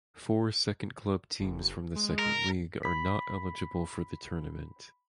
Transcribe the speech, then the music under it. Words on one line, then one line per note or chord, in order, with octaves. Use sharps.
Four second club teams from the Second League are not eligible for the tournament.
F#1
G#3
A#4
B5 B6